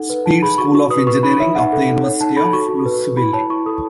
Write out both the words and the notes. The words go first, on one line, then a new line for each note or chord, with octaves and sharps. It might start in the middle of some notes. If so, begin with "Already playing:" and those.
Speed School of Engineering of the University of Louisville.
Already playing: D#4 A4 F#5
B4
D#4 A5
G#4 B5
F#4 C#6
F#4 C#6
B4 D#6
B4 C#6
D#4 B5
C#5 E5
D#4 F#5
A4
D#4
C#5
D#4 A5
A4 B5
F#4 C#6
F#4
B4
B4
E4 B5
C#5 A5
E4 C#6
A4 D#6